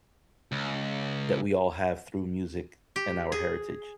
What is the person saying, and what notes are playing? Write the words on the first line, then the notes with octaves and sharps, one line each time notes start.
that we all have through music and our heritage.
C#2
G4
G#4